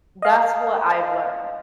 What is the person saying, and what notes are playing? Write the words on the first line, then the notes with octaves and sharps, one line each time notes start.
That's what I've learned.
D#5 F5